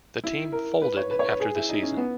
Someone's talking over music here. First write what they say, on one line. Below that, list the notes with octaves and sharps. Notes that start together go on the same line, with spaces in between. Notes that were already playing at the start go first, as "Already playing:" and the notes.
The team folded after the season.
E4
A#4
B4
C#5
B4
C#5
B4
G#4
E4
D#4
C#4
B3